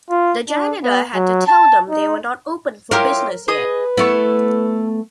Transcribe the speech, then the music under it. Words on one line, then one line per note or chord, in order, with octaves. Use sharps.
The janitor had to tell them they were not open for business yet.
F4
D4
B3
F#3
A5
D#4
E4 F4 G4 A#4 C#5
G#4 B4 D#5 D#6
A3 B3 E4 A4 C#6